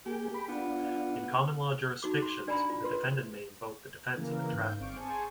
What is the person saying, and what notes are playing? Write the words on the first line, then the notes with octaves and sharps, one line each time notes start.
In common law jurisdictions, the defendant may invoke the defense of entrapment.
A#3 G4 G#4
B5
B3 D4 F4
D#4 F#4 D6
C6
D4 D5 G#5 A#5 B5
F4
B4 C6
C#3 E3 A#3 A#4
G#2 F5 G6
G1 C4 D5 F5 C#6 D7
G#4 C5 G#5 A5 C#6